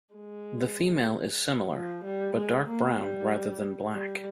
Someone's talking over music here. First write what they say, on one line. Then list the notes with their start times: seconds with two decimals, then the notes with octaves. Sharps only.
The female is similar, but dark brown rather than black.
0.15 G#3
1.73 F3
2.04 G3
2.36 G#3
2.68 A#3
2.99 G3
3.93 G3